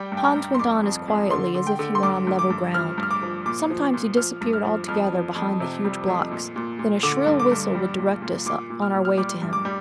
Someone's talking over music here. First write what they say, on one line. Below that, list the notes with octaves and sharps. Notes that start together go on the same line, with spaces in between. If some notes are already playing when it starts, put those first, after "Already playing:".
Hans went on as quietly as if he were on level ground; sometimes he disappeared altogether behind the huge blocks, then a shrill whistle would direct us on our way to him.
Already playing: G3 G5
G2
G5
A#5
G2
C6
F2 D6
F2
F2
D3 C6
D3
G5
D3
C6
G2 D6
G2
D6
G2
F3 F6
G2
F6
D6
F3
A#2 D6
F3
A#2
F3 F6
G2
F6
F3
F2 F6
F3
F2
C3
G3
F2
A#2
A#2
A#2
D3 D6
G2
D6
G2
G3
A#2
A#2
A#2 D6
A#2
F6
A#2
F6
G3 D6
G2
D6
G3